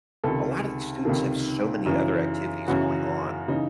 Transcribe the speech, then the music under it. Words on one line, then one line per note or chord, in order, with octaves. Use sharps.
a lot of these students have so many other activities going on,
C#2 C3 D#3 A4
C#2 C3 D#3 A4
F#2 C#3 E3
F#2 C#3 E3 F#4
C#3 E3 D#4